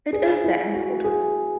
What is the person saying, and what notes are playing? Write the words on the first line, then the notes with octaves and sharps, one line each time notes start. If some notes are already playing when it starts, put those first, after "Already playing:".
It is that important.
G#4
E4
F#4
G#4